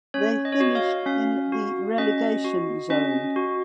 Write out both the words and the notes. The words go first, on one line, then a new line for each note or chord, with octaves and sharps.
They finished in the relegation zone.
C#4 C#5
D#5
C#5
F#4 D#5
F5
C#4 F5
F#4
C#4 D#5
F#4
C#4 D#5
F#4